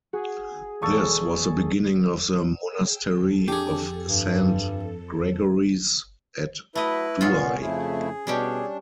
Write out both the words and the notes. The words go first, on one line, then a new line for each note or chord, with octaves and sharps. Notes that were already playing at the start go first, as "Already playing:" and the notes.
This was the beginning of the monastery of Saint Gregory's at Douai.
F#4 G#4
E1 A4 C#6 D#6 F6 A6
G#4 G5 E6
F2 A4
D4 G4 G#4
G2
F#3 A3 E4 B4 D#5
A#2 G#3 B3 C#4 F4
F2 C#3 A3 E4 G#4
B2 G3 C#4 D4 G4